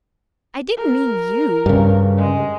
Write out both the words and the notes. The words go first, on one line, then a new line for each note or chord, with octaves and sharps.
'I didn't mean you!
A#4
G2 C#3
G#3